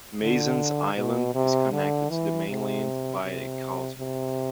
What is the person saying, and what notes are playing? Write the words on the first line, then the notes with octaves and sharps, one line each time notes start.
Mason's Island is connected to the mainland by a causeway.
D3
B2
C3
D3
E3
C3
C3
C3